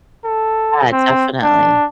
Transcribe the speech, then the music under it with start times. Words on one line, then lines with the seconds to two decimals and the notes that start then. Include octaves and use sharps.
Yeah, definitely.
0.24 A4
0.92 C4
1.43 D4